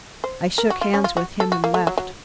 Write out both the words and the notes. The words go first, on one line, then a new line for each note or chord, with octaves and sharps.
I shook hands with him and left.
C5
A#4
F#4
F4
C#4
F4
F#4
A4
F#4
A#3
A3
F#3
F#3